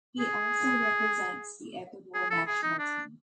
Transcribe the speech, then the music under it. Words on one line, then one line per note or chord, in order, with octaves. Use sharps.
He also represents the Ecuador national team.
G#4
G#4
A4
G#4
D#4
D4